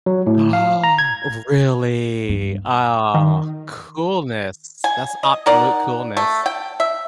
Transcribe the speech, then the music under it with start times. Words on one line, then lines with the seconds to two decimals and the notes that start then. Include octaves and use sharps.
Ah, oh, really? Ah, coolness. That's absolute coolness,
0.06 F#3
0.27 A2
0.53 F5
0.84 A#5
0.98 G#6
2.29 G2
3.14 D#3
4.84 G#5
5.23 D#5
5.46 D#4 A#4 D5 F#5
6.17 A3
6.46 G5
6.80 E5